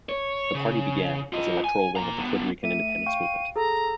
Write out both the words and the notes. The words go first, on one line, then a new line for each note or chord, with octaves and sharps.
The party began as the electoral wing of the Puerto Rican independence movement.
C#5
C#3
F4 D#5
G#5
A#2 A#5
D3 B3
A3 E5 D#7
F5 G5 C#6
G#4 A4 A#5